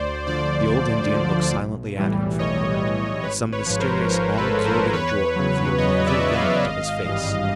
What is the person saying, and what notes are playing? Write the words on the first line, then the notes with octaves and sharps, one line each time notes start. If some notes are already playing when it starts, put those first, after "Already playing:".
The old Indian looked silently at him for a moment, some mysterious, all-absorbing joy revealed in every lineament of his face.
Already playing: D2 C5 D5
D3 F3 C5 D5
D2
D3 F3
B1
A2 E3 G3
B1 C#5 D#5
A2 E3 G3
G#1 B4 C#5
B4 C#5
G#2 F3
A#4 C5
G#1 A#4
A4 B4
G#2 F3
A#4 C5
E2 B4 C#5
C#3 F#3
E2 C#5 D#5
D5 E5
C#3 F#3
D#5 F5
G#1
G2 E3 G3